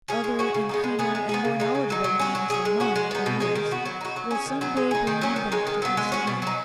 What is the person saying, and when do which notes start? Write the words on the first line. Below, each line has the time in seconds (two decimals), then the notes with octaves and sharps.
Other and keener and more knowledgeable minds than mine or yours will some day bring him back to us again.
0.08 C#4 G#4
0.24 G#3
0.39 C#4 F#4
0.54 C#3
0.69 G#3 B3 D#4
0.84 G#3
0.99 B3 D#4 G#4
1.15 G#3
1.29 B3 D#4 G#4
1.45 C#3
1.60 G#3 D#4
1.75 C#3
1.90 F#3 D#4
2.04 F#3
2.19 C#4 F#4
2.35 F#3
2.50 C#4 G#4
2.65 G#3
2.80 C#4 F#4
2.96 G#3
3.11 B3 D#4
3.26 B2
3.40 G#3 D#4 G#4
3.55 D#3
3.71 B3 F#4
3.86 F#3
4.01 D#4 F#4
4.16 F#3
4.31 C#4 G#4
4.46 D#3
4.61 F#3 B3 D#4
4.77 G#3
4.91 D#4 G#4
5.07 D#3
5.21 F#3 C#4
5.36 D#3
5.52 G#3 D#4
5.67 D#3
5.82 F#3 B3
5.97 G#3
6.12 C#4 F#4
6.27 B2
6.42 F#3 D#4